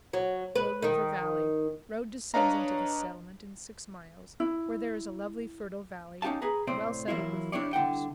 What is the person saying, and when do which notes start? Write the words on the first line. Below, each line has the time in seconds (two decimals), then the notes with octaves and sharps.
Rogue River Valley.--Road descends into the settlements in six miles, where there is a lovely fertile valley, well settled with farmers.
0.13 F#3
0.56 B4
0.82 D#3 D#4
2.34 D4 B4 C#5 D#5 F5 A#5
4.40 E4
6.22 C#4 D#4 G4 F5 A5
6.42 G#4 B4 A#5
6.67 A2 C3 C4 C5 D5
7.08 E3 F#3 A#3 E4 F4
7.52 D4 E4 G4 C#5 D5
7.73 C2 D3 E4 F#5 G5